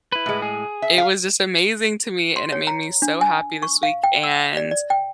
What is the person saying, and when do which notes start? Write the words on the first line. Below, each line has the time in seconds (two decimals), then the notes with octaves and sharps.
it was just amazing to me, and it made me so happy this week, and,
0.12 E4 B4
0.26 A2 G#3
0.42 G#4
0.82 E5
0.98 F5
2.36 C6
2.52 C#5
2.67 A#5
3.02 D4
3.21 G#5
3.63 C#6
3.83 F5
4.04 G5
4.23 E6
4.57 D5
4.71 D5
4.90 G5